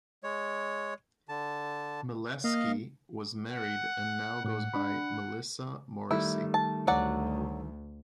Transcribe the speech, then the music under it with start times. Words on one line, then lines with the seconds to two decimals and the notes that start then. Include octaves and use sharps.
Mileski was married and now goes by Melissa Morrisey.
0.24 G#3 C#5
1.29 D3 A5
2.44 A#3 D#5 F5
3.51 F#5
4.45 A2 F#5
4.74 D4 B5
6.11 D#3 G3 A3 E4
6.54 A5
6.87 D2 F#3 D5 F#5